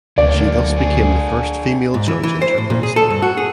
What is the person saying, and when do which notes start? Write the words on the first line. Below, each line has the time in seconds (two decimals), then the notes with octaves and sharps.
She thus became the first female judge in Turkmenistan.
0.18 D2 F#3 A#3 D5
0.77 D4 G#4
1.94 G#2
2.08 E3
2.23 E3
2.42 C5
2.58 A2
2.70 A#2
2.83 G#4
2.96 A4
3.10 G2
3.22 F#4
3.37 G#4